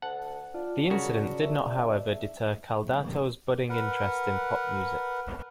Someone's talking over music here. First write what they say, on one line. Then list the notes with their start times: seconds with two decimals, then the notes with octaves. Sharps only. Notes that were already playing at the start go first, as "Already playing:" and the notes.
The incident did not however deter Caldato's budding interest in pop music.
0.02 D2 F#5 A5
0.54 D4 F4
0.90 C#3 F#4 A#4
1.42 E5
3.69 A#4 B4 F#5